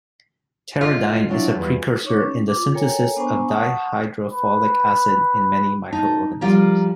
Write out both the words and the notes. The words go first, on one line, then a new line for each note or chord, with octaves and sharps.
Pteridine is a precursor in the synthesis of dihydrofolic acid in many microorganisms.
F4 A#4 D#5
F#3 D4 E4
E2 G3
D#4 C#5 C#6 D6
C#4
F4 D6
A4 A#4 C#5 G5 G#5 A#5
B3 D4 C5 G#5 A#5 C#6
F#5 A5 C#6 D#6
B4
D#4 A5
F3 G3 F4 A#4